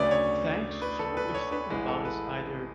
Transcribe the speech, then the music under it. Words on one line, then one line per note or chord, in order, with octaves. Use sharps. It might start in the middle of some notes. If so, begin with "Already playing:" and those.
"Thanks." So, what we're thinking about is either
Already playing: D2 C#3 F#3 A3 B4 C#5 D5
C#5
B4
A4
B4
C#5
B4
A1 A2 G#3 B4
A4
B4